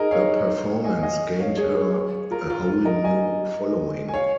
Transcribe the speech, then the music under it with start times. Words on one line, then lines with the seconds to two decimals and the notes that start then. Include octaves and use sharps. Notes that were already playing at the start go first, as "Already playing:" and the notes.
Her performance gained her a whole new following.
Already playing: D#4 G#4 A#4 D#5
0.11 C#5 F5
0.84 D#5 G#5
1.03 D#5 G#5
1.40 C#5 F5
1.57 G#4 C#5
2.31 F4 A#4
2.50 F4
2.67 F4
2.85 A#4 D#5
3.04 D#5 G#5
4.09 G#5
4.14 C#5 F5